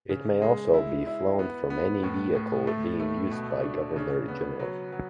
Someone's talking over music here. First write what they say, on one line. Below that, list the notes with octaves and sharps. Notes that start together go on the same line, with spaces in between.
It may also be flown from any vehicle being used by the governor general.
C#3
G#3
E4
E4
B3
B3
A2
A2
A3
A3
B2
D4
C#3
B3
F#3
F#3